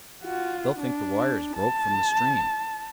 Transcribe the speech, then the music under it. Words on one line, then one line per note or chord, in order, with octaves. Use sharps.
They'll think the wires broke from the strain.
F4 F#4
D4
A5